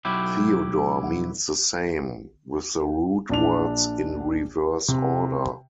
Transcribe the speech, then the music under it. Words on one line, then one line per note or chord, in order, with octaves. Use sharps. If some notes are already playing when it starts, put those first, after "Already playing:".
Theodore means the same, with the root words in reverse order.
B1 F#3 E4 G4
A#1 D4 F7
C3